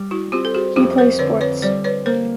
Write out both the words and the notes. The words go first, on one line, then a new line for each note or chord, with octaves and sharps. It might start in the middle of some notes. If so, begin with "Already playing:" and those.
He plays sports.
Already playing: G3
E4 F#4
C4 F4 G4
A4
F#4 G#4
F2 F4 G4
A#4 C5
D3 B4 C#5
B4 C#5
G3 C5 D5
B4 C#5
A#3 A#4 C5